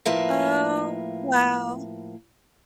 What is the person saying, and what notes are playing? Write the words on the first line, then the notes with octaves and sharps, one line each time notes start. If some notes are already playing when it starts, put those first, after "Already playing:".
Oh, wow.
A2 F3 A#3 B4 E5 A5